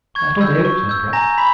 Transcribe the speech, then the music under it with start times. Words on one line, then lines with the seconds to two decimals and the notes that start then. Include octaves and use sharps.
"That'll do," said Pratt.
0.15 C#6 G#6
0.41 E6 G6
0.65 C#6
0.89 E6 G6
1.13 G#5 A#5 A#6
1.38 B5 B6